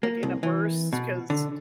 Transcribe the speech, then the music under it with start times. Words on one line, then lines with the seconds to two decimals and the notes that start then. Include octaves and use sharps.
like in a burst, 'cause
0.03 A#3
0.23 C2
0.43 E3
0.93 B2
1.30 D3